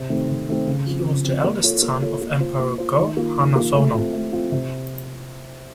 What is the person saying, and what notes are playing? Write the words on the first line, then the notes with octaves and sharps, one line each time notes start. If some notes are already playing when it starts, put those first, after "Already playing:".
He was the eldest son of Emperor Go-Hanazono.
Already playing: C3
D#3 A3 C4
C3
D#3 A3 C4
C#3
F3 C4
C#3
F3 C4
A#3
F4 A4 C#5
A#3
F4 A4 C#5
A#3
F4 C5
A#3
F4 C5
D#3
A#3 F4
D#3
A#3 F4
A3
C4 F4
A3
C4 F4
C3